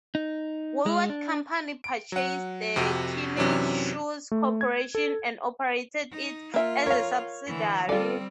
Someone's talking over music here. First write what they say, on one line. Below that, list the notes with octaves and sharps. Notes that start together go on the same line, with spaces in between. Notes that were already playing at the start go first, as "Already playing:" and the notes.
Woolworth Company purchased the Kinney Shoe Corporation and operated it as a subsidiary.
D#4
G#3
D4
D7
F#3 F#5
F2 C3 F#4 D#7
F#2 C3 E3 F#3 C#4 D4
A3
G#6
A4
D#4
A#3 F4 E5
A#4 C#5 F5
D3 E3
G3 C4 F4 A4 D5